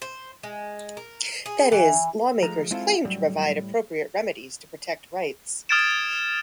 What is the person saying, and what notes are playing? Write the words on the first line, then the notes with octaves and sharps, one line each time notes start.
That is, lawmakers claim to provide appropriate remedies to protect rights.
C5
G#3
A#4
G#4
E3
F3 G#3 A3 A#5
G#3 C4 E4 F4 A4
F#2 A2 G3
D#6 F6 G#6 A6 D7 E7